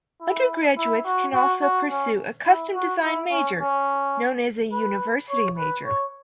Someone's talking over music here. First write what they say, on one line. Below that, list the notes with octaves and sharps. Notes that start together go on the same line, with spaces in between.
Undergraduates can also pursue a custom-designed major, known as a University Major.
E4
E4
F#4
F#4
F#4
C#4
E4
F#4
E4
C#4
C#4
B4
C#5
B4
C#5